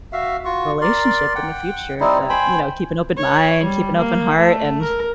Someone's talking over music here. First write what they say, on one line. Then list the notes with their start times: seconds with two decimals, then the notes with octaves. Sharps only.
relationship in the future, but, you know keep an open mind, keep an open heart, and,
0.13 F#4 E5 F5
0.45 F4 F#4 C#6
0.81 A#4 D5 C6
1.36 F#5 G5
2.00 G3 C4 D#4 E4
2.29 C5 G5 G#5 B5
3.17 C#5
3.64 G3
3.98 A#3
4.37 A3
4.82 A#4